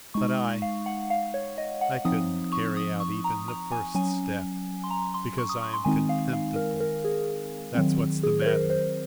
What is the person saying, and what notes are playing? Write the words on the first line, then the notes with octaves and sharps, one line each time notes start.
But I... I couldn't carry out even the first step, because I am contemptible, that's what's the matter!
G#3 D#4 C#6
F5
F#5
F5
C#5
D#5
F#5
F3 C4 D#4 D#6
C#6
D#6
C#6
A#5
A#5
G#5
F#3 C#4 G#5
C6
A#5
C6
C#6
D#6
C#6
C6
D#3 G#3 C4 D#4 G#5
F5
F5
A#4
A#4
G#4
D#3 F#3 C4
G#4
C5
A#4
C5